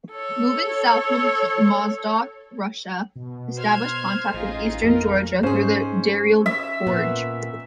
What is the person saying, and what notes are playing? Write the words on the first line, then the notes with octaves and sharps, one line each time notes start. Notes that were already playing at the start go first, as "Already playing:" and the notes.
Moving south from Mozdok, Russia established contact with eastern Georgia through the Darial Gorge.
A4 C#5
B2
C5 F6 G#6
A1 D#4 F4 G#4
F2 A#4 F6
G#2 C#4 G#4 C5
E5
A#2 B3